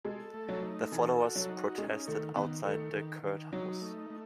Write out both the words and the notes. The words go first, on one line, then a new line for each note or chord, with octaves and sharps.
Their followers protested outside the courthouse.
G#3 A4
A3
F#3
D#4
E3 A4
F#4
F#3
D#4
G#3 C#4
D#3 A3
D#3 B3
D#3 A3
D#3
D#3
F#3 D#4
A3
A3